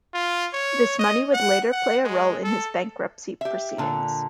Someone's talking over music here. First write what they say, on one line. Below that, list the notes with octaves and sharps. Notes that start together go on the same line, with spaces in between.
This money would later play a role in his bankruptcy proceedings.
F4
C#5
D#5
F#5
F#5
G#3
A4
G4 E5
A#2 D3